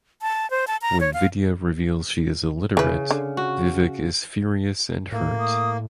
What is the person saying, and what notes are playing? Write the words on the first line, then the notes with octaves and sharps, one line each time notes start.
When Vidya reveals she is illiterate Vivek is furious and hurt.
A5
C5
A5
A#5
C#5
F5
C#3 E3 B4
D3
F#4
A2 A#3
D#6